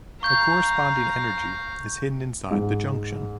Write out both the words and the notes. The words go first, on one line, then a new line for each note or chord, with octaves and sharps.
The corresponding energy is hidden inside the junction.
F5 A#5 C#6 G6
G#2